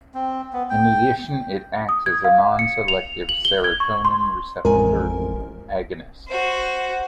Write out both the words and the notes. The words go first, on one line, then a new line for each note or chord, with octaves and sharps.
In addition, it acts as a non-selective serotonin receptor agonist.
C4
B3
G5
D#6
G#6
F5
C#7
F7
F#7
G7
G#6
C#6
C6
A1 F2 G#3 A#4 G#5
F#4 C5